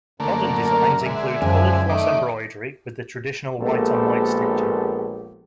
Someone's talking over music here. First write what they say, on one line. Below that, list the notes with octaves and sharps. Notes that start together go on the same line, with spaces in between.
Modern designs include colored floss embroidery with the traditional white on white stitching.
F#2 D3 A3 A#3
A#4
D3 G#3 E5
F#2 F3 G#5
D#3 A3 D5
A#1 G#3 A#3 B3 G4 A4